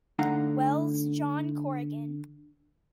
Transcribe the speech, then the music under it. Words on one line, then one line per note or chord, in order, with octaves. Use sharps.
Wells, John Corrigan.
D3 A3 D#4 F5 F#5 A#5